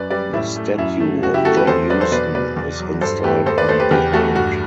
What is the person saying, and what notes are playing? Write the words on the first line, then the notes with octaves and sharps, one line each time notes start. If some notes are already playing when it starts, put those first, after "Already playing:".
The statue of John Huston is installed on the island.
Already playing: F#2 B4 D5
G3 B4 D5
A2 E4
A3
F#2 E4
A3
F#2 F#4
E4 G4
A3 F#4 A4
G4 B4
E2 A4 C5
F#3 B4 D5
A4 C5
B2 B4 D5
B2 B4 D5
E2
F#3
G2 A4 C5
A3 G4 B4
E2 A4 C5
B4 D5
A3 A4 C5
G4 B4
E2 G4 B4
A3 F#4 A4
G2 F#4